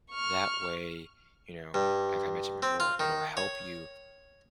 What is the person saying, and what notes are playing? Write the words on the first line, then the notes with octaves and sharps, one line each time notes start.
That way, you know, like I mentioned before, it'll help you,
C#6 F6
G2
C4
F4
D#3
C#5